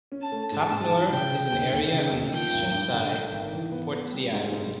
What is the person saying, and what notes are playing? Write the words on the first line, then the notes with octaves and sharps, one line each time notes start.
Copnor is an area on the eastern side of Portsea Island.
C#4
A5
A3
G#2 A5
G#2
E3
C#3 G5
C#3
D#2
D#2
C#3
D#2
F3 G5
G#1
G2
D3
D3
G#1
E3
B3
B3
G3
G#2
G#2